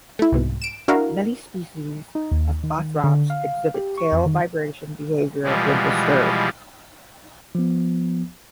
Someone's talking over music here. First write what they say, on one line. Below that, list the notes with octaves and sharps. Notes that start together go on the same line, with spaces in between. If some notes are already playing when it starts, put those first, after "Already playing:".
Many species of Bothrops exhibit tail vibration behavior when disturbed.
A3 E4
C2 G#2 B2
D7 E7
D4 E4 F#4 A#4 F5
D#4
D#2
D#3
D3
F5
G4
C#6
F2
D#3
B2 E3 F3 G3 G#3
F3 B3